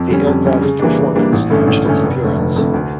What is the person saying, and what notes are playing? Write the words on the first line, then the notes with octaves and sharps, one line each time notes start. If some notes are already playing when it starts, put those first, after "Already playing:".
The aircraft's performance matched its appearance.
Already playing: F2
D3 G3 C#4
F2
D3 G3 C#4
C#3
E3 G3 A#3 D4
C#3
E3 G3 A#3 D4
A1
G2 D3 A3 C#4
A1
G2 D3 A3 C#4
F1
F2 D3 A3
F1
F2 D3 A3
D2